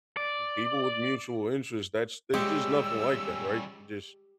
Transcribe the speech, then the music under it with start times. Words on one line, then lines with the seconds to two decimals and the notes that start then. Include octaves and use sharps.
people with mutual interest that's there's just nothing like that, right? You just
0.17 D5
2.34 G3 G#3 C#4 G4 E6